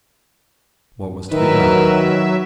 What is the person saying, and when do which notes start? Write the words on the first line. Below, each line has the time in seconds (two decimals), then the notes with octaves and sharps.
What was to be done?
1.31 D#3 F#3 A#4 B4 E5